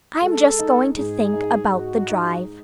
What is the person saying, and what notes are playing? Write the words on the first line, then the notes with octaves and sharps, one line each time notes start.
I'm just going to think about the drive.
G#3 A4
D#4
G#2 G#4
D#4
G#2 F#4
D#4